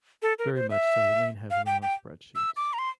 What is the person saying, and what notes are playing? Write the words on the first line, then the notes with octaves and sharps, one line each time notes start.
very much so, we lean heavily on spreadsheets.
A4
A#4
C5
E5
F5
G5
G5
E6
D6
A#5
C6